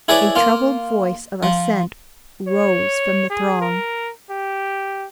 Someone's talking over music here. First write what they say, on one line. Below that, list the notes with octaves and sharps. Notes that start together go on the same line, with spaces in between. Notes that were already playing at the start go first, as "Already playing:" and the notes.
A troubled voice of assent rose from the throng.
E4 G#4 A4 B4 C#5 D5
A#3 F4
F3
C#5
G#4
A#4
G4